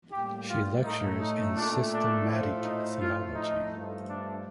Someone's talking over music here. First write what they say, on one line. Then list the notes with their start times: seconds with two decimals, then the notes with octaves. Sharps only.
She lectures in systematic theology.
0.11 A2 G3 A#3 G4
0.47 F4
0.83 A2 A3 D#4
1.19 D#4
1.55 A#2 A3 D4
1.92 D4
2.27 A2 F3 A3
2.63 D#4
3.00 A2 F3 A3 F4
3.35 D#4
3.72 G2 F3 A3
4.08 D4